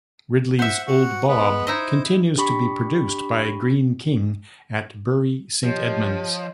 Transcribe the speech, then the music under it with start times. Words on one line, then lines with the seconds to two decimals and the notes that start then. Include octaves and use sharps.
Ridley's Old Bob continues to be produced by Greene King at Bury Saint Edmunds.
0.59 C5 E5 F#5
0.87 F#4 F#5
1.28 G#3 B3 B4
1.67 D#4 E4 C5 D#5
2.37 D4 G4 B5 C#6 B6
5.64 F3 G4 C#5 D#5